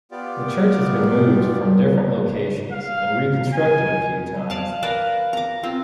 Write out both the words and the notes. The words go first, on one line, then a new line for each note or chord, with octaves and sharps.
The church has been moved from different locations and reconstructed a few times.
B3 F4 G4 D5
F5
G#5
D5 F5 A5
A#4 B4 D5 F5
A#5 D6
C4 F4